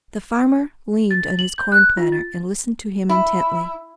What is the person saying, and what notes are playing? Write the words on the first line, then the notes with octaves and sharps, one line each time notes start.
The farmer leaned on his corn-planter and listened to him intently.
A6
F#7
G6
F#6
F4
A6
E4